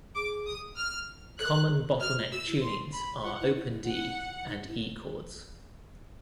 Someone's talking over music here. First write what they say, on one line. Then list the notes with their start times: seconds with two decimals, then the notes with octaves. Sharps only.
Common bottleneck tunings are open D and E chords.
0.15 G#4 D6
0.46 D#6
0.77 F6
1.39 A4 F#6
1.46 A#4
1.54 A4
1.69 G#4
2.00 F#4 F6
2.17 F4
2.32 F#4 E6
2.47 E4
2.62 C6
2.94 B5
3.24 F4 F#5
3.41 E4
3.47 D#4
3.56 E4
3.72 E4
3.83 F4 F#5
3.96 E4
4.48 D#4
4.69 E4